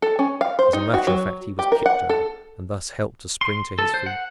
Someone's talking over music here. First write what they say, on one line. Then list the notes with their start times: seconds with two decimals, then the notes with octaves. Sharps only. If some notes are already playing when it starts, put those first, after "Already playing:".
As a matter of fact he was kicked over, and thus helped to spring to his feet.
0.02 A4
0.19 C#4
0.41 F5
0.59 C5
0.73 D#4
0.94 F#4
1.07 F#3
1.59 G4
1.72 A#4
1.86 F#5
2.09 A4
3.41 C6
3.79 A4
3.94 C5
4.06 F#5